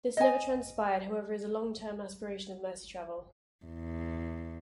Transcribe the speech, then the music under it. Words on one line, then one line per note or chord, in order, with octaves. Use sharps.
This never transpired, however is a long term aspiration of Merseytravel.
D#5 G#5
E2